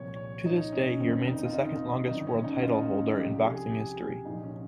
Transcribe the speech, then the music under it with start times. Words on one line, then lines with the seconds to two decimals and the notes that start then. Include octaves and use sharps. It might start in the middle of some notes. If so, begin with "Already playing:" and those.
To this day he remains the second longest world title holder in boxing history.
Already playing: C2 A#2 F3 C#5
0.16 C#5
0.46 D#4
0.73 C#4
1.00 F1 F2 D#3 C4
1.27 D#4
1.45 F4
1.54 D#4
2.08 G1 F2 D#3 D#4
2.27 C#4
2.44 D#4
2.62 F4
3.16 C2 C3 F3 G4
3.44 G#4
3.71 G4
4.25 C2 A#2 F3 D#4
4.43 C#4